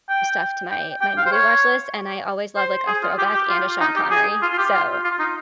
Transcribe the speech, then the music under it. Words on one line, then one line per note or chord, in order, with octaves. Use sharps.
stuff to my my movie watch list, and I always love, like, a throwback and a Sean Connery, so,
G5
G5
G5
F5
C5
C#5
C5
G#4
F4
G4
G4
F4
D#4
G4
G#4
F4
F4
G4
F4
F4
D#4